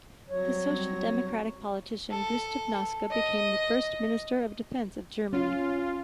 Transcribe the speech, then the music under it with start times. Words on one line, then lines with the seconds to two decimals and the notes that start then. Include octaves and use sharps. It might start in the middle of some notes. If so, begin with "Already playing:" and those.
The Social Democratic politician Gustav Noske became the first Minister of Defence of Germany.
0.30 F#3 G3 C4 C#5 A#6
2.11 A4
3.11 D#5
5.33 C#4 F4